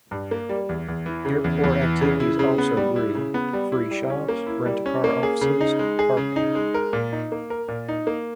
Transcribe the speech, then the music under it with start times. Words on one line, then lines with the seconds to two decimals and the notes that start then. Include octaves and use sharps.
Airport activities also grew: free shops, rent-a-car offices, parking.
0.11 G2
0.31 A#3
0.49 G3
0.69 E2
0.88 E2
1.06 E3
1.25 C#3
1.44 E2
1.64 E2
1.82 E3
2.01 C#3
2.20 E4
2.39 C#3
2.58 B3
2.77 G3
2.96 E4
3.15 C#3
3.34 B3
3.53 G3
3.72 E4
3.91 G3
4.10 C#4
4.28 A#3
4.47 E4
4.66 G3
4.86 C#4
5.04 A#3
5.23 G#4
5.41 C#3
5.61 D#4
5.79 G#3
5.99 G#4
6.17 C#3
6.36 D#4
6.55 G#3
6.74 A#4
6.93 A#2
7.12 D#4
7.32 A#3
7.50 A#4
7.68 A#2
7.88 D#4
8.07 A#3